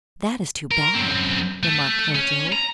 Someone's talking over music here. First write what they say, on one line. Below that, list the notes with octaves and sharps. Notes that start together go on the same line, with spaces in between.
"That is too bad," remarked Ojo.
A#4
F#2 C4
A3
C#4
A#5